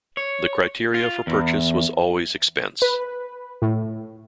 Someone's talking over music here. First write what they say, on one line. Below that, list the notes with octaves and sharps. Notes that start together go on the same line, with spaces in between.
The criteria for purchase was always expense.
C#5
F4
E2
B4
A2